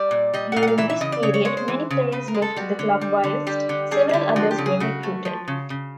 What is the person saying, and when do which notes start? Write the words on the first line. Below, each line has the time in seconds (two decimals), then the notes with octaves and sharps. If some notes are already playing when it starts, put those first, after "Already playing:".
During this period, many players left the club whilst several others were recruited.
Already playing: G3 D5
0.11 A#2
0.34 G3 D#5
0.52 F#5
0.56 A#2 F5
0.63 F#5
0.67 F5
0.78 E3 E5
0.90 E5
1.01 C#3 D#5
1.12 D5
1.23 C#3 C#5
1.34 C#5
1.45 G#3 C#5
1.57 C5
1.68 E3
1.90 C#3
2.12 C#3 B4
2.28 A#4
2.35 G#3
2.42 A4
2.56 G3 F#4
2.79 D3
3.01 G3
3.24 D3
3.47 G3 G4
3.69 D3
3.91 G3 G#4
4.09 G#4
4.13 D3 G4
4.36 F3 F#4
4.51 G4
4.58 C#3
4.66 G#4
4.80 C#3 F#4
5.03 A3
5.25 F3
5.48 C#3
5.70 C#3